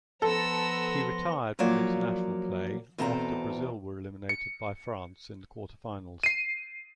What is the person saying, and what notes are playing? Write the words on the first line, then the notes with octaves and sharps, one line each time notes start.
He retired from international play after Brazil were eliminated by France in the quarterfinals.
F3 B3 A4 A#5 C6 E6 A#6
F3 F#3 A#3 C#5 D5
E2 B2 C4 A4 G#5 A#5
C#7
C7 D#7